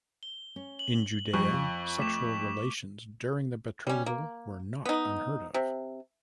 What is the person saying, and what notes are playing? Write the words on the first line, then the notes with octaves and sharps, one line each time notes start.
In Judea sexual relations during the betrothal were not unheard of.
G7
C#4
F#7
F2 G#2 G3 G#4 C#6
F4
A3 D6 B6 E7
G3 C#4
A#3
B3 D#4
C3